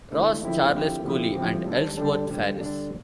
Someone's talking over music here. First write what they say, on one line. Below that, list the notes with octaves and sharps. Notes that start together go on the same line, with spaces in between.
Ross, Charles Cooley, and Ellsworth Faris.
D3 A3 E4
D3 F3 C4 E4 G4
D3 F3 C4 E4 G4
D3 F3 C4 E4 G4
D3 F3 C4 E4 G4
D3 G3 D4 A4
D3 G3 D4 A4
D3 G3 D4 A4
D3 G3 D4 A4